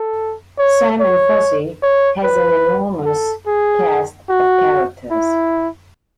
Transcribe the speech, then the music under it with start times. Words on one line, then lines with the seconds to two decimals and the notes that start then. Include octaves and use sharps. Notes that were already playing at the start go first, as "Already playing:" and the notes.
"Sam and Fuzzy" has an enormous cast of characters.
Already playing: A4
0.58 C#5
1.00 C#5
1.82 C#5
2.24 B4
3.05 A4
3.47 G#4
4.29 F#4
5.11 E4